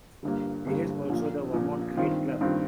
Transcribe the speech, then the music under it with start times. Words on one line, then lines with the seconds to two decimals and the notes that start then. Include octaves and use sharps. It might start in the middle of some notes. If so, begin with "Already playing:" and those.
There is also the Vermont Cricket Club.
0.23 G1 G2 G3 A#3
0.66 G1 G2 G3 A#3
1.10 A#1 A#2 A#3
1.53 A#1 A#2 A#3
1.97 G2 D#3 C4 F4
2.41 G2 D#3 C4 F4